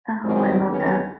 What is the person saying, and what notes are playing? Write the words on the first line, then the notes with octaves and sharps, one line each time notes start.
Oh, I love that.
E2 G#2 D#3 F#3 G3 C4
D#2 D3 B3 C#4 G4